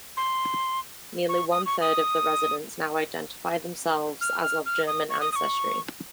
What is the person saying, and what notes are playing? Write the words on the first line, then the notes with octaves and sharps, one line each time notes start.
Nearly one-third of the residents now identify themselves as of German ancestry.
C6
C#6
D#6
C#6
D#6
F6
F6
F6
D#6
C#6
D#6
D#6
C#6